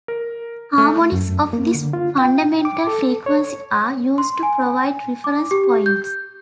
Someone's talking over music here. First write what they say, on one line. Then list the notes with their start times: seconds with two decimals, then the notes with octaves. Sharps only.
Harmonics of this fundamental frequency are used to provide reference points.
0.08 A#4
0.78 A3
1.12 F#2
1.53 A#3
1.75 D3
1.93 F4
2.18 G5
2.65 D6
2.87 A4
3.26 C#5
4.18 C6
4.43 G#5
5.24 D6
5.51 G4
5.86 G6